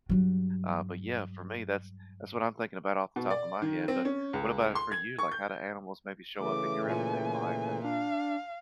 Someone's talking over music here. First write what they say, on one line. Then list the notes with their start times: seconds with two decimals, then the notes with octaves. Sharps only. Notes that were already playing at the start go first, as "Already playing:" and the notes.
Uh, but, yeah, for me, that's that's what I'm thinking about off the top of my head, but, what about for you? Like, how do animals maybe show up in your everyday life and
0.09 G2 F#3
3.16 B2
3.30 D5
3.62 D#3
3.88 C4
4.05 C#4
4.33 C#2
4.75 C6
4.92 G#6
5.19 C#6
5.32 G6
6.38 C#3 E3 A3 D6
6.87 A#2 G#5
7.84 D4 F5